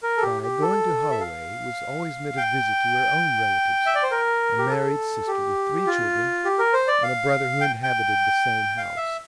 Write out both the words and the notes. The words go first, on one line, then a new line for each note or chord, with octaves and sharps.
By 'going to Holloway' was always meant a visit to her own relatives--a married sister with three children, and a brother who inhabited the same house.
A#4
A4
G4
G4
A4
E5
F5
G5
E5
D5
C5
A#4
G4
A4
G4
F4
G4
A#4
C5
D5
F5
G5
G5
F5
E5